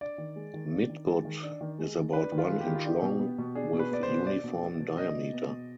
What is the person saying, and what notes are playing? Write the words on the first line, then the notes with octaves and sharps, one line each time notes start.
Midgut is about one inch long with uniform diameter.
D4 D5
D#3
G#3
D#3
D4
D#3
G#3
D#3
D4
D#3
G#3
D#3
D4 B4
D#3
F4
G#3
G4
D#3
F4
D4 G4
B2
B3
B2
D4 G#4
B2
B4
B3 D5
C5
B2
D4 D5
B2
B3
B2
D4 D#5
B2
B3
B2